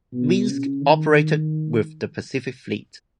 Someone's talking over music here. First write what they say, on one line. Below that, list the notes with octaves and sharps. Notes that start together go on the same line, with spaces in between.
"Minsk" operated with the Pacific Fleet.
B2
C#3
D#3